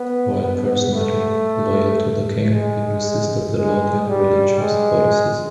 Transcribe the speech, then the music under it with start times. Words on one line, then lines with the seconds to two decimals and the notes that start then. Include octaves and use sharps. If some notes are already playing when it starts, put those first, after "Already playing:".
While personally loyal to the King, he resisted the Laudian religious policies.
Already playing: B3
0.42 B3
0.94 A3
2.50 G#3
3.54 G#3
4.08 G3
4.59 G#3